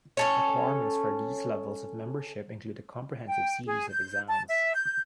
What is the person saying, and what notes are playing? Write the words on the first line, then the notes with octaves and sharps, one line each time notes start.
Requirements for these levels of membership include a comprehensive series of exams.
C#4 A4 C#5
G5
G#4
G6
A5
E5
G6